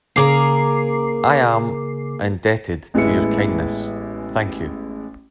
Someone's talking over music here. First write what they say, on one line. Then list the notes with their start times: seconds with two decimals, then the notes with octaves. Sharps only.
I am indebted to your kindness, thank you!.
0.16 C#3 A#3 G#4 A#4 D6 C7
2.94 A1 G#3 B3 E4 C#7